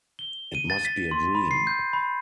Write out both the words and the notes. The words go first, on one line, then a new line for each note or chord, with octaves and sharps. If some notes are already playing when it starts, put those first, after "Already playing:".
It must be a dream!
G7
D#7
A6
B6
C6
B5
C7
G6
B5